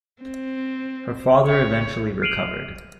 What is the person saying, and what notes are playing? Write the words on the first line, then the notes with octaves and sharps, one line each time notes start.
Her father eventually recovered.
C4
C#5
F6 C7 D7 D#7 F7 F#7